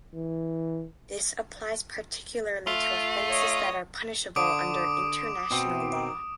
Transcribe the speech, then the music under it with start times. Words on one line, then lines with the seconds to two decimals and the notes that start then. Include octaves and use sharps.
This applies particularly to offenses that are punishable under international law.
0.14 E3
2.67 A3 F4
3.29 C#5 D#5
4.36 D3 D6 D#6 D7
5.51 B2 C4